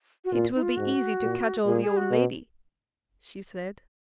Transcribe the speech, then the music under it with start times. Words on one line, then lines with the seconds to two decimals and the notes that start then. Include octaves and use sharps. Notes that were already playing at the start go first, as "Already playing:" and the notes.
"It will be easy to cajole the old lady," she said.
0.25 F#4
0.32 A#2 F4
0.55 D#4
0.62 F4
0.77 G#2 F#4
1.22 A#2
1.66 A#2 G#4
1.81 G#4
1.97 F#4
2.11 B2